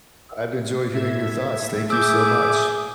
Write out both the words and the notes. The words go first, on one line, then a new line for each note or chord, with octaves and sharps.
I've enjoyed hearing your thoughts. Thank you so much.
A2 E5 G#6
G#4 D6 E6 G6